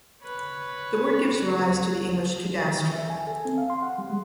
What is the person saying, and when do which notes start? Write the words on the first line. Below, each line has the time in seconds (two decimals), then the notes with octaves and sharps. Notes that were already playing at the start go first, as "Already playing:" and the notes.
The word gives rise to the English "cadastre".
0.22 B4 C#5
2.67 D#3
2.80 E3
2.92 E5
3.10 G#5
3.27 A4
3.45 C4
3.58 F5
3.70 C6
3.82 F#5
3.98 G3
4.10 G#3